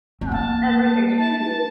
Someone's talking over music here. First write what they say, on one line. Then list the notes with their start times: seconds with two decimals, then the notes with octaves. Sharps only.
Um, everything changes.
0.21 C4
0.32 A#3 A5
1.18 A5
1.40 A5